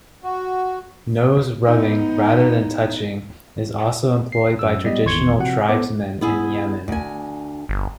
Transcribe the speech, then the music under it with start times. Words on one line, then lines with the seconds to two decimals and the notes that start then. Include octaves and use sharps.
Nose rubbing, rather than touching, is also employed by traditional tribesmen in Yemen.
0.24 F#4
1.64 B3 D#4
4.32 C7
4.59 F#2 E6
4.84 G3 B3 D#5
5.05 G#1 E2 C6 C#6 G#6 C#7
5.38 C3 F3 C4 F#4 F#5
5.69 B3 A4 C5 D6
6.21 B3 E4 G#4
6.88 D2 G#5
7.69 G1